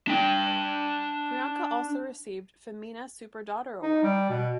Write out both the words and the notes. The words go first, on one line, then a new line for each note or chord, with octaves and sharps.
Priyanka also received "Femina Super Daughter Award".
D4 G5
D#4
G3
B2